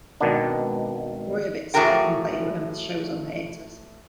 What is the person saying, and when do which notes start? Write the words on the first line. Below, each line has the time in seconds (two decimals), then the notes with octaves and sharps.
"Breuer Bits" were often played whenever the show was on hiatus.
0.21 G#1 B2 D#3 B3 D4
1.74 A2 E3 F#4 G#4 A#4 G5